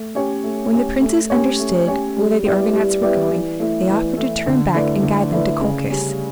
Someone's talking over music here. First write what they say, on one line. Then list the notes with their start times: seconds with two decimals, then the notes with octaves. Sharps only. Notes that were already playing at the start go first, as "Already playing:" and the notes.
When the princes understood whither the Argonauts were going, they offered to turn back, and guide them to Colchis.
Already playing: A3
0.15 C#4 G4 C#5
0.44 A3
0.73 C#4 G4 C#5
1.01 A3
1.30 C#4 G4 C#5
1.59 A3
1.87 C#4 G4 C#5
2.17 G3
2.45 B3 E4 G4 D5
2.73 G3
3.02 B3 E4 G4 D5
3.31 E3
3.60 A3 E4
3.89 E3
4.17 A3 E4
4.46 D3
4.74 A3 E4 B4 D5
5.03 D3
5.32 A3 E4 B4 D5
5.61 C#3
5.90 G3 C#4